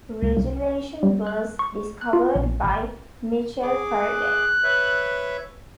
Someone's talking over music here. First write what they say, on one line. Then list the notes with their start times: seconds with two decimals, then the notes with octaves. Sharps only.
Regelation was discovered by Michael Faraday.
0.23 C#2
0.37 C2
1.03 G3
1.27 F#6
1.59 C#6
2.01 F#6
2.13 F4
2.35 A#1
2.63 G#1
3.62 G#4 D6
3.93 F#6
4.64 B4 C#5 E5